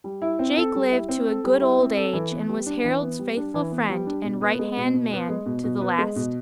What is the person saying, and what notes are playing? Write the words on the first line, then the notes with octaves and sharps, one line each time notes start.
Jake lived to a good old age and was Harold's faithful friend and right-hand man to the last.
G3
E4
C4
A4
G3
E4
C4
A4
G3
E4
C4
A4
E3
B3
G3
D4
E3
B3
G3
D4
E3
B3
G3
D4
B2
B3
G#3
B2
B2
B3
G#3
B2
B2
B3
G#3
B2